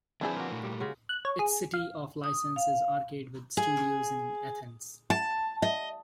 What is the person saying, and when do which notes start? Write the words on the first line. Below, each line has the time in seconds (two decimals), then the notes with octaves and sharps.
Its city of license is Arcade with studios in Athens.
0.21 E3 F3 C4 D4 E4 G#4 B4 C5
0.36 A#3 F#4
0.50 A#2 A3
0.63 G3
0.80 C#3 G#3 F#4
1.09 F#6
1.25 C#5
1.39 G#4
1.74 F5
2.24 D#6
2.56 F5
3.57 G#4
5.10 A5
5.62 D#5